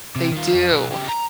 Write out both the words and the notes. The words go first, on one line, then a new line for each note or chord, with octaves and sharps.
They do.
C3
D#3 F4
F2
B2 F#3
C#3 G4
A#5